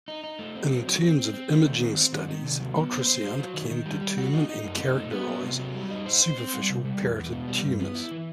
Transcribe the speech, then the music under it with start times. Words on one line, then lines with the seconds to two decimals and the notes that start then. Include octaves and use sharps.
In terms of imaging studies, ultrasound can determine and characterize superficial parotid tumors.
0.08 D#4
0.24 D#4
0.39 A3
0.55 C4
0.71 F#3
0.87 F#3
1.02 C4
1.18 C4
1.34 C4
1.50 A3
1.66 D#3
1.81 C4
1.97 C4
2.13 D#3
2.28 D#3
2.44 C3
2.60 F#3
2.76 B3
2.91 C5
3.07 C5
3.23 F#3
3.39 F#3
3.54 D#3
3.70 D#3
3.85 G3
4.01 G3
4.18 F#4
4.33 D#4
4.49 D#4
4.64 F#2
4.80 D#4
4.96 A3
5.12 B3
5.28 F#3
5.43 C3
5.60 F#3
5.75 G3
5.90 D#4
6.06 C5
6.22 C5
6.38 C4
6.54 G3
6.69 C3
6.85 G3
7.01 E2
7.16 E2
7.32 B2
7.48 G3
7.64 G2
7.80 B3
7.95 E4
8.11 E3